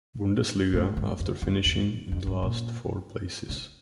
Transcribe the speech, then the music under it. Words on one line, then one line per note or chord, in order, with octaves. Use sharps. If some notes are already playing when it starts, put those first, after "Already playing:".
Bundesliga after finishing in the last four places.
A2
G2
F2
F2
E2
F2
G2
A#2
C#3